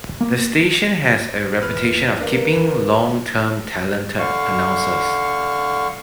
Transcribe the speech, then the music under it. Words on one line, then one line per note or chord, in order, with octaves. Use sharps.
The station has a reputation of keeping long term talented announcers.
A#3
E2 E3 B4 F6
D#2 D4 A#4 B4 F5
D3 F5 C#6